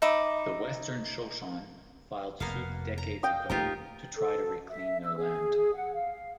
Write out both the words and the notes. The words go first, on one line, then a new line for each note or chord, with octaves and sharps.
The Western Shoshone filed suit decades ago to try to reclaim their land.
D#4 E5 B5 D6
F1 A#3 B3 F5
A#5
D#5 F5 G5
D#1 A3 A#3 D#4 F4 G4 A#4
A4
E5
E6
G#4
F#5
F5